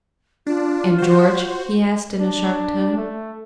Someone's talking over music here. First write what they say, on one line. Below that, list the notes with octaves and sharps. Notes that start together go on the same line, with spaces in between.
"And George?" he asked in a sharp tone.
D4 F4
F#4 C5
D4
A3